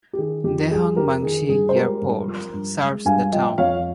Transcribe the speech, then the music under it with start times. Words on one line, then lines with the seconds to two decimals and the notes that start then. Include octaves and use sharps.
Dehong Mangshi Airport serves the town.
0.13 G4
0.18 D#3 G#4
0.44 F2 G4
0.71 G3 G#4
0.96 F2 G4 A#4
1.22 D#3 G#4
1.49 G2 G#4
1.69 C5
1.75 G#3 G4 A#4
2.02 G2
2.27 F3
2.54 G2
2.80 G#3
3.05 G2 F5 G#5
3.32 F3 D#5 G5
3.58 F2 C#5 F5